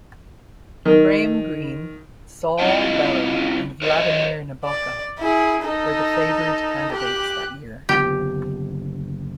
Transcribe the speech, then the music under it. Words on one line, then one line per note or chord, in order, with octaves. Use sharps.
Graham Greene, Saul Bellow and Vladimir Nabokov were the favoured candidates that year.
D#3
G3 C4 E4 F4 D#5 G5
A#4 C5 C#5 D#5
D5
E4 G#4
D#4 A4
G4 F#6
F#1 D3 B3 G4